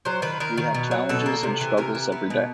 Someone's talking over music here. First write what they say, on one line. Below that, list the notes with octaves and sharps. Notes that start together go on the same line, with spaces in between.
We have challenges and struggles every day.
F#3 C5
D#3 B4
D#3 A#4
D#3
B2
F#3
B2 A4
A#3
C3
E3
C3 A#4
E3
B3
B2